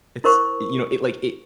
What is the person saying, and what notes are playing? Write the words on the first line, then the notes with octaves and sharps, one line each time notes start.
It's, you know, it, like, it
E4 A#4 C5 C#6